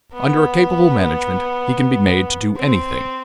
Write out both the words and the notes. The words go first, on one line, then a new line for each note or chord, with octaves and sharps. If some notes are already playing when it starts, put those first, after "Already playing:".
Under a capable management he can be made to do anything.
B3
C4